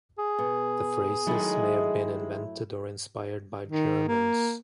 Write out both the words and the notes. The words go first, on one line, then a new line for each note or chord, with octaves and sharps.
The phrases may have been invented or inspired by Germans.
G#4
B2
D#3 F#3 G#3 A3 E4
D#3
A#3